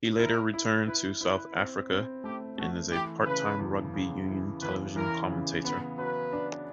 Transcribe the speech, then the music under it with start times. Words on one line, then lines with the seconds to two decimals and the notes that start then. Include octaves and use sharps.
He later returned to South Africa, and is a part-time rugby union television commentator.
0.19 E4 A#4
0.54 E4
0.87 E4 B4
1.21 E4 B4
1.56 C4
1.90 C4
2.24 A3 G4
2.58 A3 F#4
2.91 E3 G4
3.25 C#3 B4
3.59 E2
3.94 C#3
4.28 E3
4.61 E2 B4
4.96 E3 A#4
5.30 C#3
5.65 B3 B4
5.97 F#3 B4
6.33 D4